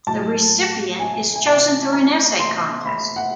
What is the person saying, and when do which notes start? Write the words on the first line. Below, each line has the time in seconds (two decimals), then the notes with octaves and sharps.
The recipient is chosen through an essay contest.
0.07 A2 F#3 A5
0.99 G#5
1.36 G#5
1.46 A5
1.93 A#5
2.39 C6
2.86 B5
3.16 F#5